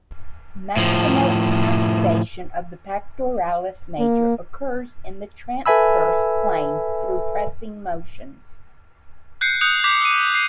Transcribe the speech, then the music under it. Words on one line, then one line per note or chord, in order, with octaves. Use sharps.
Maximal activation of the pectoralis major occurs in the transverse plane through pressing motions.
A2 F3
A#3
A4 B4 E5 G#5 B5 E6
F#6 G6 C7 C#7
D#6 F#6 G6 C#7 F7
D6 G6 B6
E6 D#7
C7